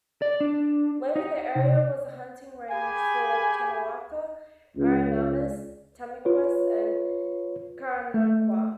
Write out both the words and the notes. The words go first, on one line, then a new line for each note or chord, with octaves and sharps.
Later, the area was a hunting range for Tonkawa, Aranamas, Tamiques, Karankawa.
D5
D4
D#4
C3
G4 G#4 G#5 B5
C#2
F4 B4 C#5
A3